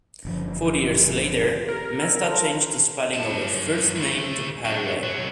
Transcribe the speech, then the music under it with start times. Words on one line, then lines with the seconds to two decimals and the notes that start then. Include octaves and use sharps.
Four years later, Mesta changed the spelling of her first name to Perle.
0.25 F#1 D3 F3
1.68 G4 A4 A#4
2.01 E6 G#6
2.25 A4 A5 C6
3.14 F#2 A5
3.95 D2 A3
4.65 F#3 D4
5.03 C2 F#3